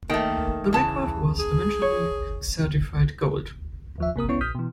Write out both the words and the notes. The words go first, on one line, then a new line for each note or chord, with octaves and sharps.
The record was eventually certified gold.
D#3 A3 A#3 G5
C#3 E3 A5
G#4
C#5
D#2 F3 E5
C3 A#3 A#4 D#6
C#2 B3 C#4 E4 C#6
A#1 D#6 F6 G6 B6
B2 E3